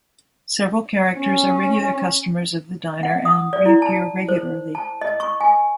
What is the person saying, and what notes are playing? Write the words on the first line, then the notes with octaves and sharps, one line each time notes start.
Several characters are regular customers of the diner and reappear regularly.
C#4
F#5
D#6
D5
E4
A5
C5
A5
D#5
C#6
G#5